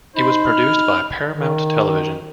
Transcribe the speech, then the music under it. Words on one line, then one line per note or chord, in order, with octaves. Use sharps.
It was produced by Paramount Television.
D#4 C5 B5
F6
D#3